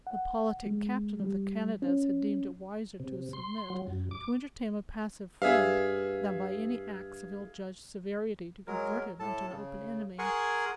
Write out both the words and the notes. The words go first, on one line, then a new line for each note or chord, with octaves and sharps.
The politic captain of the Canadas had deemed it wiser to submit to entertain a passive friend, than by any acts of ill-judged severity to convert him into an open enemy.
F#5
G#3
G3
C#4
C3
C6
F#3
F#2
D6
G2 G#4 E5 F5
F#3 G#3 A#4
A2 A4 A5
C#3
G#4 A#4 F#5 G#5 C6 C#6